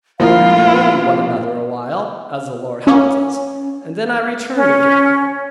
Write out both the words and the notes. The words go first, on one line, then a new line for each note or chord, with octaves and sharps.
We bemoaned one another a while, as the Lord helped us, and then I returned again.
A#1 F3 A#3 E4 F4 A#4 F5
C#4
C#4